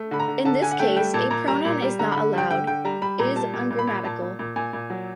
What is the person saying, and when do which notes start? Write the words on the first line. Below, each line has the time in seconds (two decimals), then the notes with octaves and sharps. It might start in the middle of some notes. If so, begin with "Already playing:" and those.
In this case, a pronoun is not allowed: is ungrammatical.
Already playing: A3
0.11 D3 B5
0.19 A#5
0.28 D3
0.45 D3 A5
0.62 D3 G#5
0.71 F#5
0.79 A3 G5
0.96 G3 G5
1.14 A#2 A5
1.30 A#2 A#5
1.48 G3 A#5
1.65 A#2
1.82 G3
1.99 D3 A#5
2.12 D3 B5
2.33 G3 G5
2.51 D3 G5
2.67 D3 G5
2.85 G3 A#5
3.02 G3 B5
3.19 A#2 A#5
3.36 G3 A5
3.54 A#2
3.71 A#2
3.79 B5
3.87 A#2
4.04 A#2 A5
4.22 A#2
4.39 A#2
4.56 A#2 G#5
4.73 A#2
4.90 F#3